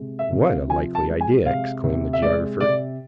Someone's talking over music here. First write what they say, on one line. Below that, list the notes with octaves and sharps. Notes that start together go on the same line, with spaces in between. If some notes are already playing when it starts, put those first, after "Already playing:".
"What a likely idea!" exclaimed the geographer.
Already playing: C3 G#3
E5
C3
F5
F3 G#5
A5
G#3
G#5
C3 F5
C3
E5
G#3 D5
C3 D5